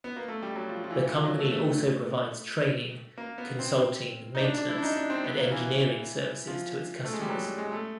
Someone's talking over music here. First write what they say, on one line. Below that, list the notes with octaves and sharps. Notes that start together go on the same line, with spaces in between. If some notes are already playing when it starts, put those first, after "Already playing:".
The company also provides training, consulting, maintenance and engineering services to its customers.
B3
A#3
A3
G3
F#3
F3
F3
E3
F3
F#3
A3
A3
A#3
B3
C4
D#4
D4
D4
E4
D4
D#4
D4
C4
B3
A#3
E3
F3
A3
G#3
G3
F#3
G3
G#3
A3